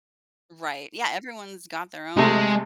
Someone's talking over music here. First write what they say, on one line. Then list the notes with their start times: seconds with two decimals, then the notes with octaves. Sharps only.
Right, yeah, everyone's got their own
2.17 C3 G#3 A3